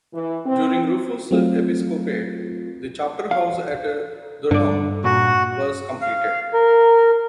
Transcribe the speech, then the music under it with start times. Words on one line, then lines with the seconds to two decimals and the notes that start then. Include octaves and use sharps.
During Rufus' episcopate the chapterhouse at Durham was completed.
0.14 E3
0.46 C4
1.31 F#3 A3 C4 F4
3.31 F5
4.51 G2 D3 D5
5.04 A#2 F#4
6.01 F5
6.53 A#4